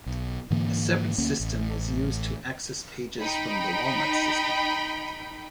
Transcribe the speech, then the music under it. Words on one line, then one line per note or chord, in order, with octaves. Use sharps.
A separate system was used to access pages from the Walnut system.
B1
G#2 D3 E3 A#3
D2 A#3 C#4
A1
D#4 G5 B5